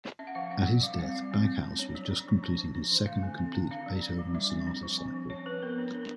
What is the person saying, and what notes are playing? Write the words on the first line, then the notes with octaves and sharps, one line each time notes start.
At his death, Backhaus was just completing his second complete Beethoven sonata cycle.
C#4 E5
F#5
F3 F5
C#4 F#5
F#3
G3 F5
C4 F5
G3
C4
A3
C#4
D4 C#5
F#3
D4
F3
C#4
F3
D4
E3
A3 F5
D3
C4
D#3
D4 F5
F#3
D4
G3
G3 E5
C4
D4
F3
C4
F3
C#4 C#5
F3 B4
B3 A#4
D4
D4 A#4